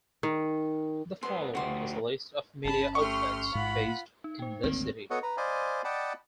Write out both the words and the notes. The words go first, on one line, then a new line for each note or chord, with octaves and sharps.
The following is a list of media outlets based in the city.
D#3
G2 B3 C4 C6
D2 F3 F#4 G4 C6
G1 C3 C#4 A5 B5
A3 G4 C6 C#6 F6
A1 G#2 F4 F#5 B5
D#4
C5 G5
G#1 D2 A#3 C4
B3 F#4 A4 C#5 D#5 F#5
B4 A#5
C5 D5 D#5 F5 G#5 B5
D5 D#5 F#5 G5 A5 B5